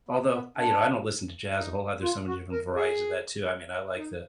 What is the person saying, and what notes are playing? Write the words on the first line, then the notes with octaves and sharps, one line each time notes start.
Although, I you know, I don't listen to jazz a whole lot, there's so many different varieties of that too, I mean, I like the
B3
B3
D4
D#4
F4
F#4
A#4
G#4
D#4